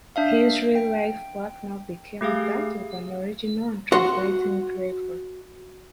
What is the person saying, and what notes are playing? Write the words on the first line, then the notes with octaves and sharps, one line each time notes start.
His real life-work now became that of an original and translator engraver.
D4 E5 F5
G5
A3 G4 G#4 F5
F#4 F#5 C6